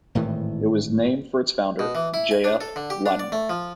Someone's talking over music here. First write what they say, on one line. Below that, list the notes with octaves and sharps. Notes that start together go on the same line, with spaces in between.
It was named for its founder, J. F. Latimer.
G#1 A2 D#3 E3
B2
E3
E4
G#5
D4
A4
D3
G4
D4
D5
A3
F3